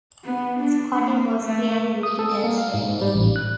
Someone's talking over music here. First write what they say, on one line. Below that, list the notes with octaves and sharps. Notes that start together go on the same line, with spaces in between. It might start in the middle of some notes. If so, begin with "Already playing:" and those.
Scotty was clearly looking elsewhere.
B3
D4
A#3
A3
D#6
A4
A#3
F5
G#2
G#2
G3
A1
F#6